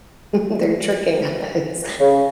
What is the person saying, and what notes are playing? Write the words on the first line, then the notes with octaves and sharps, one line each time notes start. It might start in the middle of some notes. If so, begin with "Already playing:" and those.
they're tricking us.
C#3